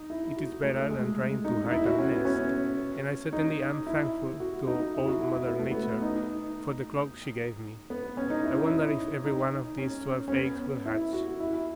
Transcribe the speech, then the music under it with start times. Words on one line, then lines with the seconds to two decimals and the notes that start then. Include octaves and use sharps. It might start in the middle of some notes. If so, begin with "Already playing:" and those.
It is better than trying to hide a nest, and I certainly am thankful to Old Mother Nature for the cloak she gave me. I wonder if every one of these twelve eggs will hatch.
Already playing: D#4
0.10 E4
0.37 F#4
0.63 A3
0.90 G#3
1.45 D#4
1.65 D#4
1.71 E4
1.85 F#4
1.98 C#4
2.11 B3
2.25 C#4
3.33 D#4
3.87 E4
4.40 F#4
4.67 D#4
4.94 E4
5.07 F#4
5.21 E4
5.34 E4
5.47 B3
5.59 A3
5.71 B3
6.02 D#4
7.90 B3
8.17 C#4
8.30 D#4
8.44 E4
8.57 D#4
8.71 E4
9.24 D#4
9.78 C#4
10.28 C#4
10.32 B3
10.86 E4
11.13 F#4
11.40 E4